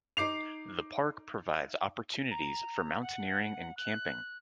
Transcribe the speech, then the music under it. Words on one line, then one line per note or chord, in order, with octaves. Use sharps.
The park provides opportunities for mountaineering and camping.
D#4 D6 C7 F7
A#5
F#5
F#6